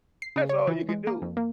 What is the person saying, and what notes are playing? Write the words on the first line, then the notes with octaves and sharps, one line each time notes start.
all you can do.
C7
C#3
C#5
E3
G#3
A#3
F2
A#3